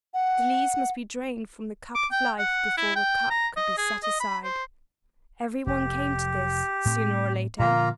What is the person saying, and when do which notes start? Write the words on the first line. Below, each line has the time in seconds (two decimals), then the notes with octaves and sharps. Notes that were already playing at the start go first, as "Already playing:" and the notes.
The lees must be drained from the Cup of Life before the Cup could be set aside. Every one came to this, sooner or later.
0.14 F#5
1.95 D6
2.12 G5
2.39 F#5
2.77 E4
2.96 G5
3.30 A#5
3.56 D#5
3.78 G#4
4.03 D#5
4.20 B5
4.44 C5
5.67 F1 G4
6.85 A2 A3 C4
7.59 A#2 D3 F3 A#3 F4 A#5